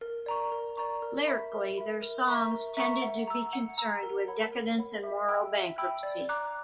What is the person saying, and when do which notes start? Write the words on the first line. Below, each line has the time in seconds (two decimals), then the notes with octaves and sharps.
Lyrically, their songs tended to be concerned with decadence and moral bankruptcy.
0.01 A#4
0.26 D5 A#5 C#6
0.52 A#4
0.77 D5 A#5 C#6
1.02 A#4
1.27 E5 B5
1.52 A#4
1.77 E5 B5
2.02 A#4
2.28 E5 A#5 C#6
2.52 A#4
2.77 E5 A#5 C#6
3.02 F#5
3.27 A#5 E6
3.53 F#5
3.78 A#5 E6
4.03 A#4
4.28 C#5 F#5 B5
4.52 A#4
4.78 C#5 F#5 B5
5.04 E5
5.28 G5 B5 E6
5.53 E5
5.78 G5 B5 E6
6.03 D5
6.29 A#5 D6 F#6